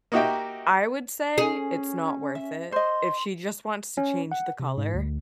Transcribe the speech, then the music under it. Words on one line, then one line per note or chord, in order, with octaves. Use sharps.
I would say it's not worth it. If she just wants to change the color,
A#3 D#4 F#4 G4 E5 G5
C#4 G#4
E5
C5 D#5 C6
C#4
F#5
C3
G#2
D2